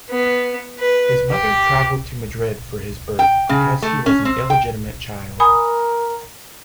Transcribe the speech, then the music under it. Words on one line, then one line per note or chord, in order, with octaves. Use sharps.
His mother travelled to Madrid for his birth, because he was an illegitimate child.
B3
B4
G4
G5
C#3
A3
C#4
C4
G5
A#4 G#5 B5 D#6